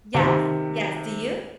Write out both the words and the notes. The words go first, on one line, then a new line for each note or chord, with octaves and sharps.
Yes, yes, do you?
C3 D#3